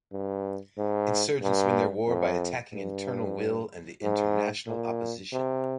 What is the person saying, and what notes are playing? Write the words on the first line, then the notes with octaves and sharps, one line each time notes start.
Insurgents win their war by attacking internal will and the international opposition.
G2
G#2
G2
F2
G2
G#2
A#2
C3